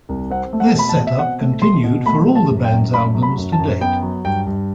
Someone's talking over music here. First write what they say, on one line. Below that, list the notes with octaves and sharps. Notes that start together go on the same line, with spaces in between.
This set-up continued for all the band's albums to date.
C2
C4 F#5
A3
F#5
B2 B5
A5
B2
E5
C4 F#5
A3
B2 C6
B2
A3 B5
F#3
A5
F#2
G5
F#2
A3 B5
F#3
B5
F#2
A5
F#2
B3 G5
F#3
G2 G5
G2